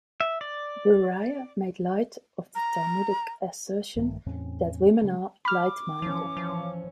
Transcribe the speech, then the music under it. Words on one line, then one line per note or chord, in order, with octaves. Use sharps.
Bruriah made light of the Talmudic assertion that women are "light-minded".
E5
D5
A#5
A#1 G2 D#3 A3
E2 A2 C4 C#4
C#3 G3 G#3
B5 D6 F6
E3 F3 C#4
F3